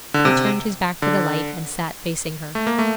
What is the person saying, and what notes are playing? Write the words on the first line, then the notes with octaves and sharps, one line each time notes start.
He turned his back to the light, and sat facing her.
D3
C3
D3
A3
A#3
A3